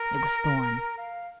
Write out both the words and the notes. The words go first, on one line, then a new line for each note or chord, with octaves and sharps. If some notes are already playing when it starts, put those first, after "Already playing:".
It was Thorn.
Already playing: A#4
F5